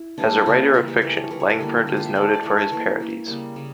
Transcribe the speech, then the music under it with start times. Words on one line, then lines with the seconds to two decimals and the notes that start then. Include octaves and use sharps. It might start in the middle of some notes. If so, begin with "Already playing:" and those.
As a writer of fiction, Langford is noted for his parodies.
Already playing: E4
0.18 E3 G3 A#3 D4
0.38 E4
0.45 C#3 E3 G3 A#3 F4
0.73 C#3 E3 G3 A#3 F4
0.88 G4
1.02 E3 A3 A#4
1.17 C#5
1.30 E3 A3 A#4
1.40 C#5
1.50 A#4
1.59 D3 G3 A#3
1.87 D3 G3 A#3 G4
1.97 F4
2.06 E5
2.15 E3 A3 D5
2.34 D5
2.43 E3 A3 C#5
2.72 E3 A#3 A#4
3.00 E3 A#3
3.28 C#3 G3 A#3
3.56 C#3 G3